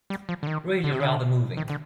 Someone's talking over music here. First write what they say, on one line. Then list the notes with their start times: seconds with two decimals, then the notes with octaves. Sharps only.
Really rather moving.
0.10 G3
0.29 F3
0.43 D3
0.47 D#3
0.84 D3
0.92 C3
1.00 D3
1.57 D#3
1.69 D3